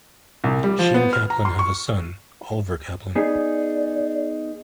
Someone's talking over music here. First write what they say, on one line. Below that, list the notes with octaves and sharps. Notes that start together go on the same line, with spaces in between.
She and Kaplan have a son, Oliver Kaplan.
C2
G3
F3
B3
F6
A#5
C6
C#6
B3 D#4 G#4 D5